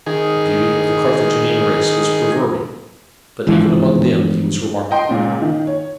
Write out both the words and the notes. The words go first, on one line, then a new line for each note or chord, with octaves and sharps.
The beauty of the Carthaginian race was proverbial, but even among them he was remarkable.
D#3 G#4
G1 G#2 E3 F3
D#5 G5 C6
C#2 A#2 C#3
D#3
C#5